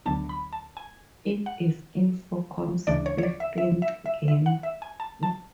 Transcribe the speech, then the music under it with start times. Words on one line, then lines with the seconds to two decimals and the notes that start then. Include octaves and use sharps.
It is Infocom's fifteenth game.
0.06 D2 D3 F#3 B3 D4 A5
0.29 B5
0.53 A5
0.77 G#5
1.46 F#5
2.87 D2 C#3 E3 G#3 D4 D5
3.06 C#5
3.18 C#5
3.23 D5
3.40 E5
3.58 E5
3.82 E5
4.06 E5
4.28 E5
4.46 F#5
4.63 E5
4.82 G#5
5.00 A5
5.23 A5